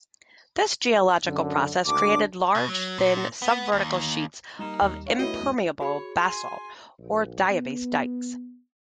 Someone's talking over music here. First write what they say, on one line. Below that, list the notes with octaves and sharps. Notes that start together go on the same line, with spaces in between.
This geological process created large, thin, subvertical sheets of impermeable basalt, or diabase dikes.
F#2 D3
G#1 D2 D4 D6
B2
F#3
A#2
B3
D#2
G3 A#3 D#4 E7
D#2
D2 C#5 F5
G2 D#3 A3 B3 E4 F#4 C#5 D#5
E2 G#2
F#4 G#4 C#5 B5
G#5 C6
A#1
B3